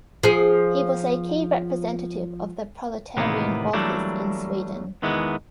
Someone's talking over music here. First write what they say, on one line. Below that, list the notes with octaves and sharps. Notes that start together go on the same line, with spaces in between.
He was a key representative of the proletarian authors in Sweden.
F3 G#4
A2 C3 D#3 E3 A#3 B3
E3 F#3 G3 A3 A#3 D4
E2 D#3 E3 G#3 B3